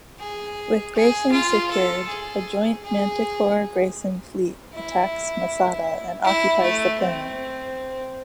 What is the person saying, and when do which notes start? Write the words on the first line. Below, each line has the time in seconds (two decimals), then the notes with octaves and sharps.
With Grayson secured, a joint Manticore-Grayson fleet attacks Masada and occupies the planet.
0.19 G#4
0.94 G#4
1.32 F4
1.70 A4
2.08 G#4
2.84 G#4
4.73 E4
6.24 E4
6.62 A3
7.00 C4